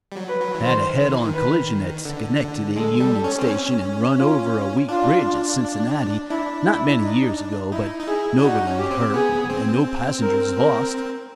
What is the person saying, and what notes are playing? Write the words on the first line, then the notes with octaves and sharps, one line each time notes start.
Had a head-on collision at Schenectady union station and run over a weak bridge at Cincinnati, not many years ago, but nobody hurt, and no passengers lost.
G3
F#3
B4
F#3
E3
D#3 C5
D#3
E3
D#3
B4
D3
D3
G#3 A4
G3
C#4
C4
C#4
F4
D4 F4
D4 E4
E4
D#4
D#4 E4
D#4
E4 G#4
D4
D#4 F#4
C#4
G4
C4
B3 G#4
C4
A#4
A#4